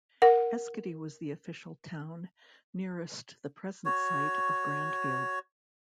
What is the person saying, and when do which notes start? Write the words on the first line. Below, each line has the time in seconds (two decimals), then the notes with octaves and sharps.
Eschiti was the official town nearest the present site of Grandfield.
0.22 A#4 F#5
3.85 F#4 C#5